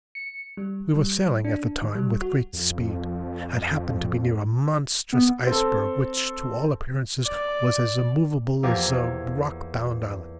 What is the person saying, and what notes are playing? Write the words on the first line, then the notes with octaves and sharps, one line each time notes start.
We were sailing at the time with great speed, and happened to be near a monstrous iceberg which to all appearances was as immovable as a rockbound island.
C#7
G3
G3
D4
D#3
G3
F#4
F2
B3
C4 A4
D5
E2 F3 A#3 G4 A#4 G#6